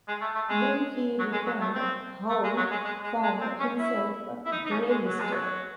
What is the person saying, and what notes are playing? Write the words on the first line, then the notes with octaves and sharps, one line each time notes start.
When he returned Howe found himself gray-listed.
G#3
A3
A3
G#3
F#3
G#3
F#3
A3
C4
A3
G#3
F#3
G#3
G#3
G#3
G#3
C4
C#4
E4
E4
D#4
D#4
C#4
G#3
F#3
G#3
F#3